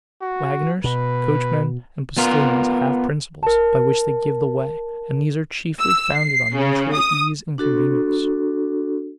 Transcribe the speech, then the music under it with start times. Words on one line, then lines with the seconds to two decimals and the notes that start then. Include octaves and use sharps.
Waggoners, coachmen, and postilions have principles, by which they give the way; and these are chiefly founded on mutual ease and convenience.
0.22 F#4
0.84 B2 B4
2.18 B3 F4 A#4
3.43 A#4 A5
5.79 E6
6.14 C7
6.54 C#3
6.94 D#6
7.58 D4 F#4 A4